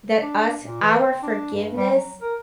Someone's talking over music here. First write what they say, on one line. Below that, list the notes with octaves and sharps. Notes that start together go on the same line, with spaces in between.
that us our forgiveness
D4
A#2
E3
C4
D4
G2
G3
F#3
A#4